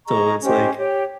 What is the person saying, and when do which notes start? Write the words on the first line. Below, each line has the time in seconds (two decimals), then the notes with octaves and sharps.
So it's like
0.06 G#4 D#5 A#5 C#6
0.42 C#4 G4 C5 D#5
0.76 G4 C#5 G5